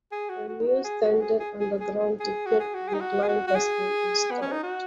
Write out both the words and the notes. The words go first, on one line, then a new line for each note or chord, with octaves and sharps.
A new standard Underground ticket gateline has been installed.
G#4
F#4
F#4
D#4
F#4
G#4
F#4
G#4
G#4
G#4
G#4
G#4
G#4
F#4
G#4
F#4
G#4
D#4
F#4
G#4
F#4
F#4
G#4
B3
C#4
D#4
F#4